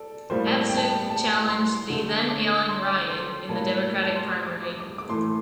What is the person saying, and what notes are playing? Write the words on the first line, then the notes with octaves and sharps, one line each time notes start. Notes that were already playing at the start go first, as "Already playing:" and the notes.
Abzug challenged the then ailing Ryan in the Democratic primary.
Already playing: A4 D5
A2 G3 A#3 C5
G5
A5
G5
A5
C6
D3 A3
D6
C6
C6
A2 G3 A#3 A5
A5
C6
D6
D6
D6
D6
D6
A2 E3 A3 C6